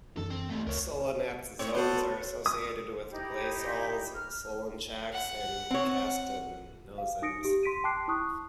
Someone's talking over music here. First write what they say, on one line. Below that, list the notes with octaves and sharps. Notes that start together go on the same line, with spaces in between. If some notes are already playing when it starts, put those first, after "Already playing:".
Solonetz zones are associated with gleysols, solonchaks and kastanozems.
F#2 E3 D4 A4
C4
G3 A3
C#2 A#4 C#5
A2 C4 C#5
B3 F#4 A4 B4 C5 F#5
D#6
D#4 E4 G4 B5
F6
F#5
C4 C#5
F5
D#4 D#6 A#6 C#7 D7
G4
C6 B6 D7 D#7
G5 A5 C6 D6 F#6 C7
E4 A5 C#6 D#6 F#6